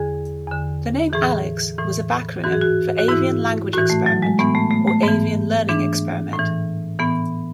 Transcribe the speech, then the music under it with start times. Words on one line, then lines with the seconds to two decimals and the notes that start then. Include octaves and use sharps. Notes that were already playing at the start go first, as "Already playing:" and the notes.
The name "Alex" was a backronym for "avian language experiment", or "avian learning experiment".
Already playing: E2 D3 G#4
0.48 E2 D3
1.13 A2 E3 G#4
1.78 A2 E3
2.44 G#2 E3 F#4
2.53 G#4
2.62 F#4
2.99 F#4
3.08 G#2 E3 E4
3.73 A2 E3 F#4
3.90 A3
4.06 F#3
4.22 G#3
4.38 A2 E3 B3
4.55 A3
4.71 A3
4.87 A3
5.03 G#2 E3 B3
5.69 G#2 E3 D4
6.34 A2
6.39 E3
6.99 A2 E3 B3